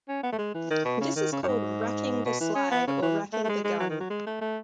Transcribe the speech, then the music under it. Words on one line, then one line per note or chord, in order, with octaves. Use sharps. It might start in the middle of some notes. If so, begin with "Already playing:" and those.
This is called racking the slide or racking the gun.
C#4
B3
A3
G#3
E3
D#3
B2
C#3
D#3
C#3
F#2
G#2
B2
E3
C#4
B3
C#3
E3
A3
A3
G#3
G#3
F#3
D#3
F#3
G#3
A3
A3